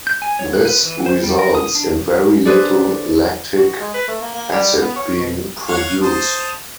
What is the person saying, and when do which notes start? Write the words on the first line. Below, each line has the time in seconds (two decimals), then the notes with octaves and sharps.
This results in very little lactic acid being produced.
0.07 G6
0.22 G#5
0.39 C#5
0.53 F#6
0.65 B4
0.83 E3
1.06 C5
1.23 G3
1.39 A#4
1.55 D#6
1.75 D4
2.45 D4 G#4 A4 B4 C5
3.58 F#4
3.79 G#3
3.94 B4
4.08 A3
4.21 A#3
4.35 A#3
4.52 G3
4.81 B3
4.96 C#5
5.19 B2
5.68 C#5 F5 F#5
6.02 C5 A5 D#6